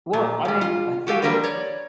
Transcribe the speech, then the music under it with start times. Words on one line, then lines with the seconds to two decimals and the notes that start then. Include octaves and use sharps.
Well, I mean, I think
0.13 A#2
0.45 A#2 G3
0.61 F4
1.07 F#4 G4 A4 F5
1.22 F3 G3 A#3 D4 A#4 B4
1.44 C#5 D5